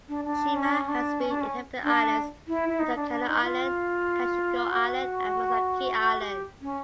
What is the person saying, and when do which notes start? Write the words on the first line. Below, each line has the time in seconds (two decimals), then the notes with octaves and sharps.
Shima has three inhabited islands; Watakano Island, Kashiko Island and Masaki Island.
0.09 D4
0.25 D4
0.56 C#4
0.64 D4
0.72 C#4
0.88 D4
1.20 C#4
1.31 D4
1.41 C#4
1.84 D4
2.48 E4
2.69 E4
2.79 D#4
2.96 D4
3.11 D4
3.28 D#4
3.43 F4
4.71 F#4
5.98 F#4
6.20 G4
6.62 C#4